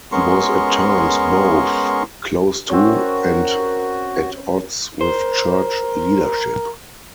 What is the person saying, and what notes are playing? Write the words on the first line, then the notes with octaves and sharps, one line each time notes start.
He was at times both close to and at odds with church leadership.
G#3 B3 C#4 A#4 C6 C#6
C4 C#4 F#4 A#4
A#4 C5